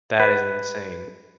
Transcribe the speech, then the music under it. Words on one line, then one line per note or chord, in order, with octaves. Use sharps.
That is insane.
B4